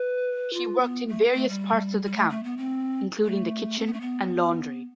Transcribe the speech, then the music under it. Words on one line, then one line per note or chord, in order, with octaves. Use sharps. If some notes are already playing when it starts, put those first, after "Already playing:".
She worked in various parts of the camp, including the kitchen and laundry.
Already playing: B4
F4
B3
A3
A3
G3
G3
A3
A3
B3
C4
A3
C4
B3
A3
B3